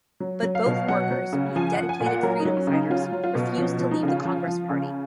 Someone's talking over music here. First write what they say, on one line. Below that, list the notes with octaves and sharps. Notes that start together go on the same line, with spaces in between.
But both workers, being dedicated freedom fighters, refused to leave the Congress Party.
F#3
F#3
F5
B2
F#3 F#5
F#3
C#3
F3 G#5
F#5
F3
G#5
A#2
F#5
F#3 A#4
D#4
F#3
C#4
C#3
D#4
F#3 F4
F#3
F4
B2
F3 C#4
F3
D#4
C#3
F4
F3
F3
C#3